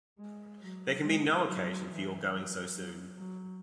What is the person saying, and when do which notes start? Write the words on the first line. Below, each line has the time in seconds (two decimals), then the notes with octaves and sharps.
There can be no occasion for your going so soon.
0.19 G#3
0.61 F#3
1.04 G#3
1.47 F#3
1.89 E3
2.32 F#3
2.74 F#3
3.18 F#3